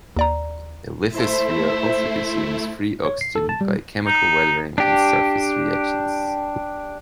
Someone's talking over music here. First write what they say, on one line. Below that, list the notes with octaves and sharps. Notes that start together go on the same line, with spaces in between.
The lithosphere also consumes free oxygen by chemical weathering and surface reactions.
D#2 D5 A#5
A3 E4 C5 E5
C#5
C7
A4
A5
G3
D#4
D4 G4